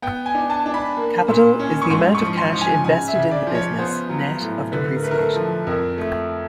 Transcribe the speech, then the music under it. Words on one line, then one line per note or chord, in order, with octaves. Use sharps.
Capital is the amount of cash invested in the business, net of depreciation.
B3 G5
G#5
D4
A5
D4
B5
A#3
A#2
C#4
C#6
G#2 C6
C#6
F3
C6
F3
G#5
C#3 G#5
E5
C#3
D5
F3
C#5
B3 C5
F#3
A2
D3 B4
A#4
A3 B4
A#4
A4
F3
F2 A#4
A3